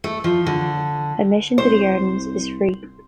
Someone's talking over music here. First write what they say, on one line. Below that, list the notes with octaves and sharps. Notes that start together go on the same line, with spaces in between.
Admission to the gardens is free.
A3
F3
D3
C2 C5